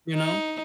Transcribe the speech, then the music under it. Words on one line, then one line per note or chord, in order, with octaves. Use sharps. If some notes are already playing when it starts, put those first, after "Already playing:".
You know?
D#4